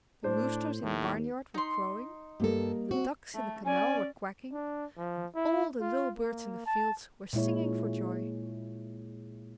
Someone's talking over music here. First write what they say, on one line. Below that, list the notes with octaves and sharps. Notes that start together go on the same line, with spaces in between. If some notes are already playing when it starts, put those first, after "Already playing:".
The roosters in the barnyard were crowing, the ducks in the canal were quacking, and all the little birds in the fields were singing for joy.
A2 D4 C5
D#2 A2
D#4 C6
G2 G3 A#3 A4 A#4
C4 F#4
A3
C#4 D5 G#5
D4
F3
E4
F4
A#3
A5
A#2 G#3 E4 C#5